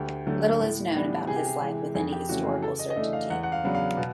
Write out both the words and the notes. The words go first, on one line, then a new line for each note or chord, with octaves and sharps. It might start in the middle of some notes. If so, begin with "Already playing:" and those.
Little is known about his life with any historical certainty.
Already playing: D2 G4
D3 F#3 A3
A2
E3 G3 B3 D4
C3 G#4
G4
G#4
E3 G#3
F2 G#4
G4
C#3 E3 A3 C#4 F#4
G#4
C#3 A4
D#5
D#5
E3 A3 D4 E5
F5
E2 F#5
F#5
F5
C#3 F#3 B3 D4
F5
B2